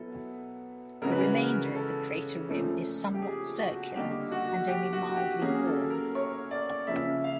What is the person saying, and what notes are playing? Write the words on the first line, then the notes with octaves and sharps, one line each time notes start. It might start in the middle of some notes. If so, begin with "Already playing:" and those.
The remainder of the crater rim is somewhat circular and only mildly worn.
Already playing: B2 F#3 B3 E4 A4
C#3 E3 G#3 C#4 F#4 A#4
B4
A#4
A#4
A4
A#2 F3 A3 C#4
G4
G#4
F#4
D3 G3 A#3 D#4 G4
F#4
G4
F#4
G4
F#3 A#3 C#4 G#4
A4
A#4
C#5
D5
C#3 F3 A#3 C#4 E5
F5